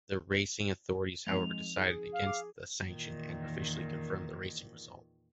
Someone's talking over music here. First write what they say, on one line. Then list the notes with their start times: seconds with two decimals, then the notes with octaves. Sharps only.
The racing authorities however decided against a sanction and officially confirmed the racing result.
1.27 F3 G#3 C4 D#4 F7
1.76 D#4 G#4
2.13 F5
2.26 D6
2.80 E2 A#2 D#3